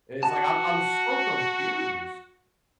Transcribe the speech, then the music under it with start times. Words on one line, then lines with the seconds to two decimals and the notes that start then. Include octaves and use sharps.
It's like I'm I'm so confused.
0.23 F#4 A5